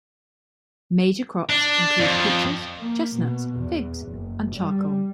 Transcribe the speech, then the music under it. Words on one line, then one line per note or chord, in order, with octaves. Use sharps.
Major crops include peaches, chestnuts, figs, and charcoal.
D4
F2
A#3
B2
E2
F#1
G3